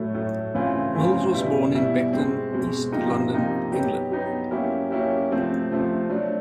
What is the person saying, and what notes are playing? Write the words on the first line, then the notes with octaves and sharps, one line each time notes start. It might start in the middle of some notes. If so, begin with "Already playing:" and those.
Mills was born in Beckton, East London, England.
Already playing: A2 F#3 A3
A2 F#3 A3
C#3 E3 A3 C4 F4
C#3 E3 A3 C4 F4
B2 G3 B3 E4
B2 G3 B3 E4
B2 G#3 C4
B2 G#3 C4
C3 F3 A#3 D#4 G4
C3 F3 A#3 D#4 G4
F#3 B3 D#4 G4
F#3 B3 D#4 G4
F#3 A#3 C#4 E4 G4
F#3 A#3 C#4 E4 G4
C3 F3 A3 C4
C3 F3 A3 C4
F#3 A3 D4